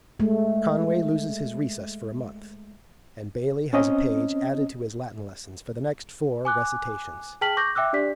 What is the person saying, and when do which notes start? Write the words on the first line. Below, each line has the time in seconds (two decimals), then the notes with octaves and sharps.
Conway loses his recess for a month, and Bailey has a page added to his Latin lessons for the next four recitations.
0.20 G#3 A3
3.73 C4 C#4 D#5
6.45 G#5 D6 F#6
7.41 G#4 G5 A5 F6 B6 F#7
7.57 C#6 D6 G6 A#6
7.75 E5 G5 D6 E6 F#6
7.93 D4 G4 D5 B6